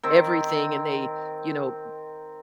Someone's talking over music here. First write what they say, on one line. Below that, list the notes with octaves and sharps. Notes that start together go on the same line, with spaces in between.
everything and they, you know
D#3 C4